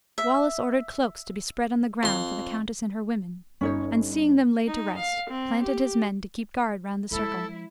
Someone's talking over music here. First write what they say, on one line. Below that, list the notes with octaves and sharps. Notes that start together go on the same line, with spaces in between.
Wallace ordered cloaks to be spread on the ground for the countess and her women; and seeing them laid to rest, planted his men to keep guard around the circle.
E5
F2 C6
G1 C#4 D#4 C#5
D#4
F5
C4
G4
F3 G#3 E4 A4